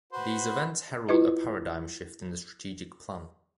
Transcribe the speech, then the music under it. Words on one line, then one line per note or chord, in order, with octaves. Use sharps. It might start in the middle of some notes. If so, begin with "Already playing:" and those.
These events herald a paradigm shift in the strategic plan.
F#4 B4 C5
E4 F4 B4 D#5